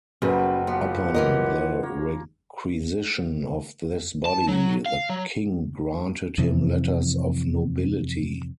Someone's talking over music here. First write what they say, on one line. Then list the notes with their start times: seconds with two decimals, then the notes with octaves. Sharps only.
Upon the requisition of this body the king granted him letters of nobility.
0.22 F#1 F#2 B2 F#3 G3 B4
0.67 D#2 F3 B3 G4 F#5
1.14 E3 A#4 D#5
1.83 A#3 C#5
4.25 A5
4.48 F#3
4.86 F5
5.09 F#3
6.38 F2 C3 E3